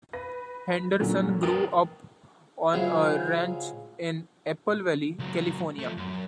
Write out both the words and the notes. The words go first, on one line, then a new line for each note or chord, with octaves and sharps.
Henderson grew up on a ranch in Apple Valley, California.
B4 A#6
A#2 D3 F#3 C#4
A#4 B4 G5 D#6
G#2 C#3 F#3 E4 F4 G#4
C#2 F#3
F3 A3
F#2